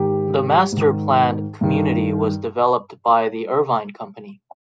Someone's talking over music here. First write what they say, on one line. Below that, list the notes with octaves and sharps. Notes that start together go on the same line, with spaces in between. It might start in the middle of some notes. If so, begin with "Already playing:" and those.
The master-planned community was developed by the Irvine Company.
Already playing: G#2 D#3 G4
G#2 D#3
G2 D#3